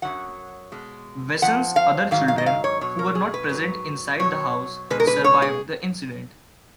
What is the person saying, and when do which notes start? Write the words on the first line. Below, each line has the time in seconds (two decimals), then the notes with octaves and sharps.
Wesson's other children, who were not present inside the house, survived the incident.
0.02 F#2 D#3 F#3 F#5
0.72 B2 G#3
1.42 F2 F3 F#5
1.76 F5
2.11 G#2 D#3 F#3 F5
2.28 F5
2.38 D#5
2.46 F5
2.64 C#5
2.81 B2 F#3 C#5
2.99 A#4
3.15 G#4
3.34 B4
3.51 G#2 F#3
4.20 B2 F#3 C#5
4.90 B2 G#3 B4
5.00 A#4
5.07 B4
5.24 C#5
5.42 G#4